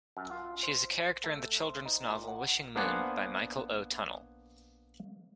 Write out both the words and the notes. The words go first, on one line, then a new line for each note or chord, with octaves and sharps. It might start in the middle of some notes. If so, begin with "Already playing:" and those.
She is a character in the children's novel "Wishing Moon" by Michael O. Tunnell.
F#2
F4
C5
A3
C5
D#4
A#2
F#5
A#3 B3 D4 C5 F#5 G#5